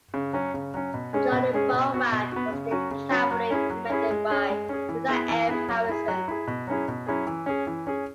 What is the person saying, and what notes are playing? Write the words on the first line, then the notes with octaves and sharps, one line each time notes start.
Joining Bowman was the cavalry commanded by Isaac F. Harrison.
C#3
F#3 C#4
C#3
F#3 C#4
B2
G#3 C#4 G#4
B2
G#3 C#4 G#4
B2
B3 F#4
B2
B3 F#4
C#3
F#3 C#4 F#4
C#3
F#3 C#4 F#4
F#3
C#4 E4 G#4
F#3
C#4 E4 G#4
G#3
C#4 G#4
G#3
C#4 G#4
E3
B3 E4 G#4
E3
B3 E4 G#4
F#3
E4 G#4
F#3
E4 G#4
B2
F#3 C#4 E4 G#4
B2
F#3 C#4 E4 G#4
E3
C#4 G#4
E3
C#4 G#4